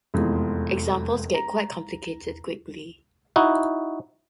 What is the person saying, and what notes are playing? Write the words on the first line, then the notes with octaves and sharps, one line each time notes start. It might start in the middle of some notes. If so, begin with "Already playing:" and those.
Examples get quite complicated quickly.
F1 E2 G#3 F4
A#5
D#4 E4 F#4